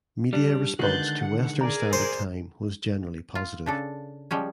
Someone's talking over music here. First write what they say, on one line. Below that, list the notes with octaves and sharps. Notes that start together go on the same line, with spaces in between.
Media response to "Western Standard Time" was generally positive.
G3 D4
D3 D#3 G#3 F#4 B4 F#6 G6 A6
F#5
G#4 A#4 D5 A#5
C5
F4
C#3 D4 A4
F3 G3 G#3 C#4